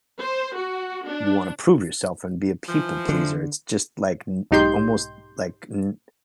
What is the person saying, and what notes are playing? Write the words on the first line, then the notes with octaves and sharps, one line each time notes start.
you wanna prove yourself and be a people pleaser. It's just like n almost like n
C5
F#4
D4
E3 F3
D3
B1 G#2 D#4 G4 C6 G6